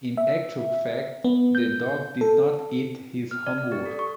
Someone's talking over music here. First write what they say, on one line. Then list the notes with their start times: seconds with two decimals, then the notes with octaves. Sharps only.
In actual fact, the dog did not eat his homework.
0.17 E5
1.24 B3
1.55 G6
2.21 A4
3.31 F6
3.47 D5
3.58 D5
3.72 G4
3.86 A4
3.99 C#6